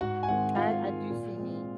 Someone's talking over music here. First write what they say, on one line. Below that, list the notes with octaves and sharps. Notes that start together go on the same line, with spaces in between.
I I do see me,
G#2 F#4 F#5
G#5
D#3 G#3 C4 F#4 F#5
G#2 F4 F5
D#3 G#3 C4
A#2
G#3 C4